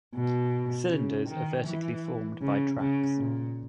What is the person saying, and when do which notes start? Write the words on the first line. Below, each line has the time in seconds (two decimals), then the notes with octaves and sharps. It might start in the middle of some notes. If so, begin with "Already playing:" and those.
Cylinders are vertically formed by tracks.
0.15 B2
0.91 C#3
1.29 D#3
1.66 E3
2.42 C#3
2.80 C#3
3.18 A#2